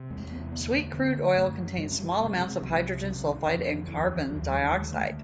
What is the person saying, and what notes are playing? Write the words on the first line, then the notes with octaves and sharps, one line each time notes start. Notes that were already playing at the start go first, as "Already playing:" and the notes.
Sweet crude oil contains small amounts of hydrogen sulfide and carbon dioxide.
Already playing: C3
E2 G#3
C4
B3
D2 B3
A#3
D3 B3
A#3
F#2 A3
C#3 G3
G3
C3 G#3
G#3
C2 F#3
C#3 F#3
D#3
F2 D3
D#3
D#2 E3
F3
D#2 F#3
G3
D2 G#3
A3